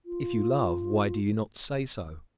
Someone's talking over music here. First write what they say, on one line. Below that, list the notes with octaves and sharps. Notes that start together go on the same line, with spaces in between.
If you love, why do you not say so?
F4